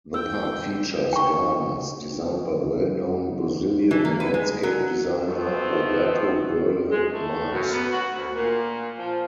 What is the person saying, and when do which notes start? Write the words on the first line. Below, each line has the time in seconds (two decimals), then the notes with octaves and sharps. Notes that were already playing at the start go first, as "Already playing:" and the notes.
The park features gardens designed by well-known Brazilian landscape designer Roberto Burle Marx.
0.14 G5 E6
1.13 G5 C#6
3.91 E3
4.05 A#3
4.20 B4
4.34 G#3
4.63 F#3
5.26 F3 A3 B3 C4 F4
6.91 G#3
7.12 A3
7.52 F#2
7.71 B3
7.91 F#4
8.13 D2
8.34 A#2
8.97 F3